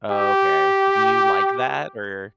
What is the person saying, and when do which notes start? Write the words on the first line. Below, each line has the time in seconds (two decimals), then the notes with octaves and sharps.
Oh, okay. Do you like that? Or
0.11 G4